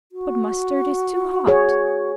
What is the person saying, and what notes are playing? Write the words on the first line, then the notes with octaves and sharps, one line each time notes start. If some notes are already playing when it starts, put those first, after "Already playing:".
"But mustard is too hot."
F#4
G#4 C#5